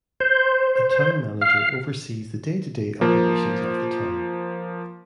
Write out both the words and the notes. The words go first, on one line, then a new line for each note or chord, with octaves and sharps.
A town manager oversees the day-to-day operations of the town.
C5
F5
F3 A#3